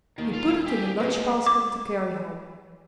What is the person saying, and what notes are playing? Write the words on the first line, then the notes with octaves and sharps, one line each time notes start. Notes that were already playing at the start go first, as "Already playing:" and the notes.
He put it in the lunch-basket to carry home.
D#2 D#3
F4 F5
G4 G#4
G#3 A#3 B4 D#5
D6